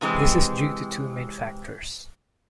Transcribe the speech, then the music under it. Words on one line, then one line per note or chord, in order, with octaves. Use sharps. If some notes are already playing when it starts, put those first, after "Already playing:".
This is due to two main factors.
C3 E3 G#3 C4